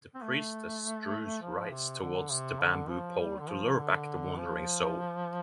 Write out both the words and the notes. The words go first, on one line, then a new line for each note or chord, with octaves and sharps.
The priestess strews rice towards the bamboo pole to lure back the wandering soul.
C4
A3
F3
C3
D3
C3
D3
F3
G3
D3
F3
D3
F3